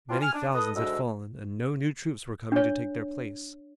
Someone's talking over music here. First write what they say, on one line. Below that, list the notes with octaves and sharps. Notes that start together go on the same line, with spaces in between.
Many thousands had fallen, and no new troops were coming to take their place.
C4 D4 E4 F4
G#5 F6
D4
A4 B4 D#5 D#6
D2 G#2 B2 G#3 D#5 E6
D4 C#5